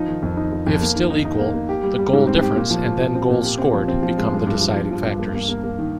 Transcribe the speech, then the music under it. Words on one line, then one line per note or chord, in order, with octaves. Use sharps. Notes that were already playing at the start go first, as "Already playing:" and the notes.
If still equal, the goal difference and then goals scored become the deciding factors.
Already playing: F3 D#4
D#3
F2
D#4
F2
F2
A#3
D#3
D#4
D#4
A#3
A#3
G4
G3
G3
G#2
C4
G4
A#2
F3
F3
A#2
C4
A#2
G4
C4
F3
C4
F3
G#3
G2
G2
F3
F3
F3
G2
A#3
A#3
A#3
A#3
D#3